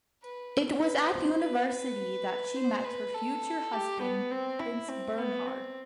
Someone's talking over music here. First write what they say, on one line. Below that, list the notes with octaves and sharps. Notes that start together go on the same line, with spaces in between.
It was at university that she met her future husband, Prince Bernhard.
B4
B4
C5
B4
B4
C5
B4
A4
G4
B3
C4
E4
C4
B3
C4